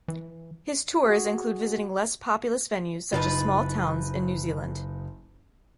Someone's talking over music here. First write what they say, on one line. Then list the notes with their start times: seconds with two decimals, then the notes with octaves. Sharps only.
His tours include visiting less populous venues such as small towns in New Zealand.
0.08 E3
1.06 F#4 G#4
3.12 F#1 D#4 F4 B4 A5